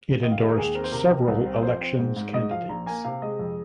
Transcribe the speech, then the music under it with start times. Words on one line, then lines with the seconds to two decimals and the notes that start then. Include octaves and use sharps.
It endorsed several elections candidates.
0.23 D#3 D#5
0.32 F5
0.39 G#3 D#5
0.49 A#4
0.58 D#2 G#4
0.75 C4 A#4
0.84 C5
0.92 C3 A#4
1.10 D#3
1.28 C2
1.46 C4
1.63 F3 C5
1.81 C4
1.98 G#2
2.17 G#2
2.33 G#2 D#5
2.51 F3 F5
2.69 A#1 A#5
2.86 A#3 G#5
3.05 C3 F5
3.22 G#3 D#5
3.39 F2